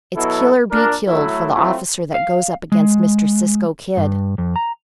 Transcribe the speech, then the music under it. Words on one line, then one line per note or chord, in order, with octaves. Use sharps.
"It's kill or be killed for the officer that goes up against Mr. Cisco Kid."
B2 F#3 B3 E4 A4
A#2 D4 A#4
A2 F#3 A3 E4
F#3 A3 C4 E4 F4
F5
G#3
G2
F2
A#5